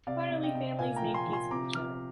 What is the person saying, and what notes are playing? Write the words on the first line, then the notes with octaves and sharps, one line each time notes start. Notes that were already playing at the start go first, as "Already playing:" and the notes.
Finally, families made peace with each other.
C3 D5 F5
C3
D#5 G5
C3
A#2 F5 G#5
G5 A#5
F3
G#5 C6
F3
G#5 C6
C3 A#5 D6
F3 D6 F6